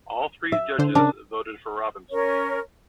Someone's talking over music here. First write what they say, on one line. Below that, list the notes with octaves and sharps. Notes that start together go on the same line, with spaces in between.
All three judges voted for Robinson.
E5
D3 D4 C5
C#3 D4 A#4
C#4 A#4 C#5